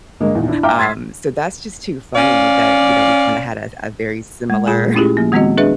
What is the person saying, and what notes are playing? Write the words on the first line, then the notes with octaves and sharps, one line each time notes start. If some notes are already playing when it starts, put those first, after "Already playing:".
Um, so that's just too funny that, you know, we kinda had a a very similar
D2 G2 G#3 A#3
E2 A#2 D#3
D4 E4
E5 F5 G5 A#5 D6 F6
C6 G#6 A6 B6 C7
C#4 D5 F5
G#3
A#2 F4 G#4 G#5
A3 C#4 E4 F4 G4 G#4
F3 A#3
D#3 G#3 B3 C4 F#4 D#5
D4 G#4 B4 D#5 E5